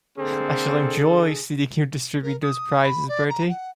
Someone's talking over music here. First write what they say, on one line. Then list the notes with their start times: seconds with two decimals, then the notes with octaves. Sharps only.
I shall enjoy seeing you distribute those prizes, Bertie.
0.18 D3 A#3 C4 G#4 A4
2.23 A#4
2.43 D#6
2.82 B5
3.08 D5
3.30 A#5
3.50 F#5